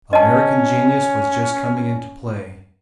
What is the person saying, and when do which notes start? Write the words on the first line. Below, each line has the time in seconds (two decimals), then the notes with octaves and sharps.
American genius was just coming into play.
0.13 C#4 D#5 A5